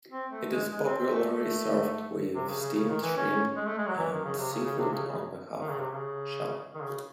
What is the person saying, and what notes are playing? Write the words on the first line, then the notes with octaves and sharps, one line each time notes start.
It is popularly served with steamed shrimp and seafood on the half shell.
C4
A3
G#3
G#3
C4
C4
A3
A3
C3
C#3
C#3
C#3
D#3
E3
C#4
G#3
A3
G#3
F#3
E3
D#3
C#3
C3
C#3
C#3
C3
C#3
C#3
D#3
C#3
C3
C#3
D#3
C#3